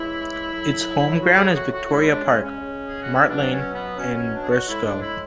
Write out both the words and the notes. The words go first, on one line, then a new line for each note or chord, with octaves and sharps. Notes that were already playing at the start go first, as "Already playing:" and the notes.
Its home ground is Victoria Park, Mart Lane, in Burscough.
Already playing: C#3 E3 G#3 E4
A2 F#3
A2 F#3 F#4
G#4
G#4
F#4
F#4
F#4
C#3 G#3 E4
D4
C#4
C#4
C#3 G#3
G#4
F#4
E4
B2 F#3 D4
C#4
B3
B2 F#3 C#4
C#4
D4
G#4
F#4
A2 G#3 E4
D4
E4